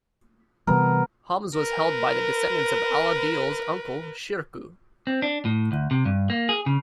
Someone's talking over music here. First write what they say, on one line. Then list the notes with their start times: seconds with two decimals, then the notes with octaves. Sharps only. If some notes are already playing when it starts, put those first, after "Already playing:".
Homs was held by the descendant's of Al-Adil's uncle Shirkuh.
0.67 C3 E3 G3 B3 A#4
1.56 A#4 B4
5.07 C4
5.22 D4
5.45 A2
5.72 D2
5.91 C3
6.05 G2
6.30 A#3
6.49 G#4
6.66 C#3